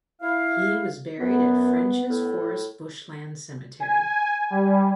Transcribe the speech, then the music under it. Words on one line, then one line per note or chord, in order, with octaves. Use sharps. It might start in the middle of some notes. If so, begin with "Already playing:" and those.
He was buried at Frenchs Forest Bushland Cemetery.
E4 F5
F#2 B3
A2
G#5
G3